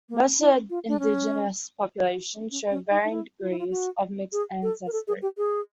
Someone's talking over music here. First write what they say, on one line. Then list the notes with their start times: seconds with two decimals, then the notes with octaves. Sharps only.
Most of the indigenous population show varying degrees of mixed ancestry.
0.09 A#3
0.39 E4
0.70 F4
0.88 D4
1.00 C#4
2.51 C#4
2.71 C#4
2.90 D#4
3.05 D#4
3.11 E4
3.42 F4
3.50 E4
3.59 F4
3.71 F#4
4.33 G#4
4.63 A4
4.86 A#4
4.93 A4
5.08 G#4
5.22 G4
5.38 G#4